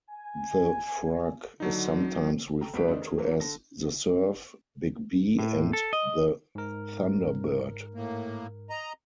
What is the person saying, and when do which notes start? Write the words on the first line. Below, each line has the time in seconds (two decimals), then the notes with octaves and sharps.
The Frug is sometimes referred to as the Surf, Big Bea, and the Thunderbird.
0.10 G#5
1.60 D3 F#3 D#4
2.61 A4 G5 A#5
2.74 C2 F#2 F#4 B4 B6 D7
2.88 A3 D4 D#4 A#4 C5 D#5
3.00 G#4 A#4
3.18 E2 E3 F#3 A#3
3.40 D3 A4 A#6
5.39 A2
5.73 A4
5.93 D#5
6.55 G#2 A#4
7.94 A2 A#3
8.70 D#5 A#5